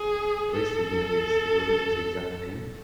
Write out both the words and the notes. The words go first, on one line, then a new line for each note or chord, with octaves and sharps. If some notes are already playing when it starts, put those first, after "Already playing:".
at least to me at least, like literally looks the exact same,
Already playing: G#4
A4